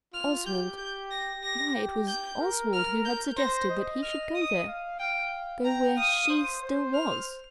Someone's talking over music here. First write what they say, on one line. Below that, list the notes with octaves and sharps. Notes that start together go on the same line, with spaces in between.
Oswald--Why it was Oswald who had suggested that he should go there--go where she still was.
F4 F6
G4 G6
G6
A#6
G4 A#6
G4
G6
A#4
F6
G6
C5 A#6
D#5
F6
D#6
F5
F5 G5
G5 A#5
F5 D#6
C5
C5
F6